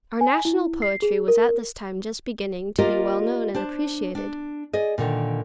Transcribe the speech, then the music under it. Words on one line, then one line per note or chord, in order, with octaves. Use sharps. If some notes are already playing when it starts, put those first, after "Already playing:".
Our national poetry was at this time just beginning to be well known and appreciated.
G#5
E4
C7
G#4
A#4
A#3 F4 G4 A#4 D5 D#5
D4 C5 A5
D4
G#4 D5 D#5
A#2 D3 D#3